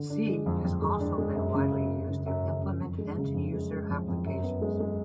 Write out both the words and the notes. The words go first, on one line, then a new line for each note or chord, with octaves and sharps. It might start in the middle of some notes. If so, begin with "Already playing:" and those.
C has also been widely used to implement end-user applications.
Already playing: D3
D4
G#3
F2
F2
G#3
D4
G#3
F#2
C#3
F#2
F#2
C#3
F#2
C#3
F#2
F2
G#3
C#3
F2
G#3
G#3
F2
F2
F#2
B3
G#3
G#3